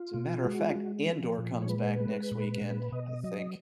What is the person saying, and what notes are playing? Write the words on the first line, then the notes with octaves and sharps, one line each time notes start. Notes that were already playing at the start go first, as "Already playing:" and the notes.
As a matter of fact, Andor comes back next weekend, I think.
Already playing: F4
B2
G#3 F#4
F4
G#3 F#4
F3
A#2
C#5
G#3 B4
G#3
A#2
A#2
B2 D#5
F#3 D#5